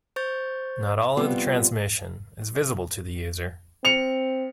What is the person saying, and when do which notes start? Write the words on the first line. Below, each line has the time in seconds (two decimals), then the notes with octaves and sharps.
Not all of the transmission is visible to the user.
0.16 C5 C#6 G6 A6
1.17 F3 G3 B3 C4 E4 F4
3.85 C4 C#7 F7